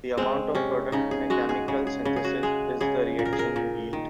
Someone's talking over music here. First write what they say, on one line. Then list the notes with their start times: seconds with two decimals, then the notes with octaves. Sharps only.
The amount of product in a chemical synthesis is the reaction yield.
0.17 G#3 C4
0.55 C3 C#4
0.92 C#3 D#4
1.11 G#4
1.30 G#3 F#4
1.49 G#4
1.68 C#3 G#4
1.87 G#4
2.05 C#3
2.16 G#4
2.24 F#4
2.43 G#3 G#4
2.81 C#3 G#4
3.19 A#2
3.25 A#4
3.33 G#4
3.39 A#4
3.56 A#2
3.93 D#3